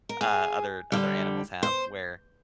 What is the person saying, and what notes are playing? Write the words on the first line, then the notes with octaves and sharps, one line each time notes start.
uh, other other animals have where,
A#4
G#4
D3 G3
C5